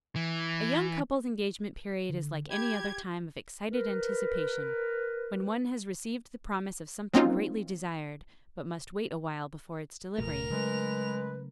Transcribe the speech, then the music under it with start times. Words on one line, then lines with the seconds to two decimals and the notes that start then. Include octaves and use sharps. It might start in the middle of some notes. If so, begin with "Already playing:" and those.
A young couple's engagement period is like any other time of excited anticipation, when one has received the promise of something greatly desired, but must wait awhile before its delivery.
0.16 E3
2.10 D3
2.50 G4 B5 G#6
3.72 A#4 B4
7.13 F#3 A#3 C4 C#4 D#4 F4
10.18 D1 B2 A3 A#4 F7
10.50 C#3 F#3 G#3 A3 B4